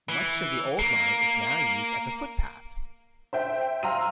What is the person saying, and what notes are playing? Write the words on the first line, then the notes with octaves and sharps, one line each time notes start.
Much of the old line is now used as a footpath.
E3
A#3
C5 E5 G5
F5 A#5 C6 E6 D#7